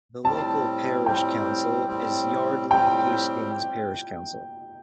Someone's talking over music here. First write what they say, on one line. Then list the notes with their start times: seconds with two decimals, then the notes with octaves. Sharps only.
The local parish council is Yardley Hastings Parish Council.
0.24 A2 G3 C4 A5
1.06 A2 G3 C4 G5
1.88 A2 G3 C4
2.70 A2 G3 C4 G5